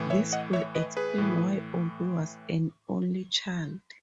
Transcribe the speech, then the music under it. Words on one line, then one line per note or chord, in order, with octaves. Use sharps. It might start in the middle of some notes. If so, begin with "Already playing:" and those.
This could explain why Opie was an only child.
Already playing: A2 E3
C#5 E5
D#5 F#5
C#5 E5
B4 D#5
G#4 B4
A2 E3